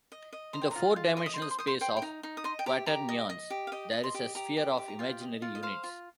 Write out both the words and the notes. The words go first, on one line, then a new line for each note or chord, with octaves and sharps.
In the four-dimensional space of quaternions, there is a sphere of imaginary units.
D#5
D#5
C5 A#5
G5
F4 A#5
F4
D#5 C6
D#6
C6
C5 D#6
C6
C5 D#6
C6
C5 G5
G5
D#4 A#5
D#4
D#6
D#5 C6
G5
G4 A#5
G4 A#5
D#5
D#5
G4
F5
D#5 G5
D#5
C6
G4
G4 A#5
G4
G4
A#5
F4 G5
D#5
F4
D#5
C5 F5
F4